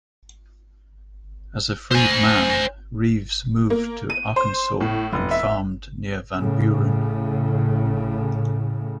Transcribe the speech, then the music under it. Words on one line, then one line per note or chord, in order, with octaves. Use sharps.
As a freedman, Reeves moved to Arkansas and farmed near Van Buren.
C5 G#5
A#3
D#7
C5
A2
F1
E5
A2 C#3